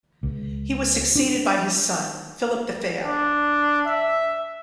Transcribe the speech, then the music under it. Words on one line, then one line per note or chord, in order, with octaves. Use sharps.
He was succeeded by his son Philip the Fair.
C#2
D4
D4
E5